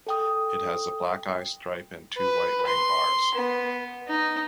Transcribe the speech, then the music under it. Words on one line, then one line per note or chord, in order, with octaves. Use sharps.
It has a black eye stripe and two white wing bars.
A4 G5 D#6
B4
C6
B3
D#4